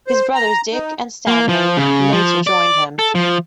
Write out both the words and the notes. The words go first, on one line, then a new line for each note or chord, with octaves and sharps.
His brothers, Dick and Stanley, later joined him.
C5
A#5
D#4
A#3
F3
C#3
F3
D5
A4
F3